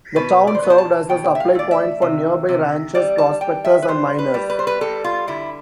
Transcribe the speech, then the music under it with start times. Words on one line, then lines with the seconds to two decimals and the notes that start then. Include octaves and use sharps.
The town served as a supply point for nearby ranchers, prospectors, and miners.
0.16 B2 B4
0.47 D5
0.55 C5
0.62 B2 B4
0.70 C5
0.78 A5
1.09 B2 G5
1.35 E5
1.40 F5
1.55 A3 D5
1.71 E5
2.02 C3
2.49 C3
2.94 G3 D5
3.18 A5
3.41 G3 G5
3.65 E5
3.82 B4
3.88 G3 C5
4.19 B4
4.34 G3
4.50 B4
4.59 C5
4.67 B4
4.81 G3 A4
5.04 F4
5.27 D3 E4